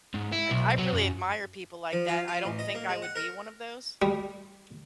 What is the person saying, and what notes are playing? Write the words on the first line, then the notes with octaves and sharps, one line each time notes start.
I d I really admire people like that. I don't think I would be one of those
G#2
E4
B1
F#3
F#2
F3
F4
F4
A1
D#5
A#3
G#3
F#5
A#4
G3